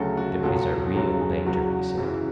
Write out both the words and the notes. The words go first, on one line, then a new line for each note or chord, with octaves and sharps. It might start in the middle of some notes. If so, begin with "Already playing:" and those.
There is a real danger, he said.
Already playing: D2 C#3 F#3 A4
F#4
C#2 B2 F#3 A4
F#2 C#3 F#3 A4
G#4
E2 C#3 F#3 F#4
F#2 C#3 E3